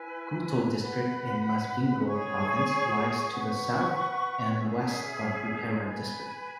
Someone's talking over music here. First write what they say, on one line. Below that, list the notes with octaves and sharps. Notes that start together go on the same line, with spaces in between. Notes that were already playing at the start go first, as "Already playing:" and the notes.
Gutu District in Masvingo Province lies to the south and west of Buhera District.
Already playing: E4 B4 G#5
B4 F#5 B5
G#4 C#5 G#5 C#6
B4 F#5 C#6
C#4 G#4 E5
B4 G#5 B5